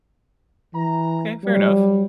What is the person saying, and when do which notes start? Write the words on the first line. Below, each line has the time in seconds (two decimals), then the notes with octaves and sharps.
Okay. Fair enough.
0.74 E3 A#5
1.44 F#3 G3